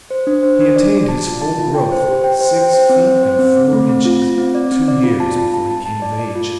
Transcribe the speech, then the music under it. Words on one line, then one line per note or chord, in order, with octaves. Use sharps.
He attained his full growth, six feet and four inches, two years before he came of age.
C5
D4
C5
D4
D5
D5
A5
F4
A5
F4
G5
C5
G4
G5
C5
G5
C5
C4
C5
C5
C4
C4
A3
C4
F4
F4
C4
D5
C4
D5
F4
A5
F4
A5
A5
A5
D5
D5
F4